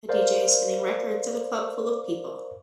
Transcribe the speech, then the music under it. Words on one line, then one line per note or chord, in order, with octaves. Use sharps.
A DJ is spinning records at a club full of people.
A#4 C5 D5 F5